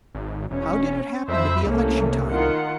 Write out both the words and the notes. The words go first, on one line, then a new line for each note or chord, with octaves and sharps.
How did it happen to be election time?
G#1
E1 C#4
F2 C5 E5 B5
C2 A3 A#3 C#4
D#3 F4 F#5